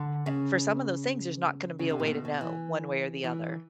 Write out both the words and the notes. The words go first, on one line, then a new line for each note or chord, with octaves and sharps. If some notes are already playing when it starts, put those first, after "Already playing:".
eh, for some of those things, there's not gonna be a way to know one way or the other.
Already playing: D3
C#3
C#3
C3
A#2
B2
B2
E3
E3